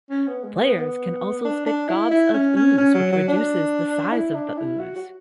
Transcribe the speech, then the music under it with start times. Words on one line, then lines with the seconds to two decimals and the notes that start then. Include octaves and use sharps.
Players can also spit gobs of ooze, which reduces the size of the ooze.
0.11 C#4
0.28 B3
0.44 G#3
0.61 B3
0.78 B3
1.45 D4
1.66 D4
1.88 E4
2.11 E4
2.34 C#4
2.56 C#4
2.78 C#4
2.95 F#3
3.12 F#3
3.28 D4
4.12 E4
4.34 D4
4.57 E4
4.80 F#4
4.96 F#4